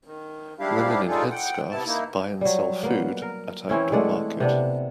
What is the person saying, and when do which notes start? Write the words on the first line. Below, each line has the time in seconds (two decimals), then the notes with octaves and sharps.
Women in headscarves buy and sell food at outdoor market.
0.05 D#3
0.60 G#2 G3 D4 E4 G4 F5
1.08 F3 G3 D#4 F4 G#4 A4
1.31 F#5 G5
1.71 C3 B3 E4 A5
1.86 A#3 D#4 E4
2.41 F#3 G3
2.83 A#3 B3
3.22 A#4
3.69 E3 C4 C#4 E4
3.92 G#3 A3 D5 F#5
4.40 C3 B3 D4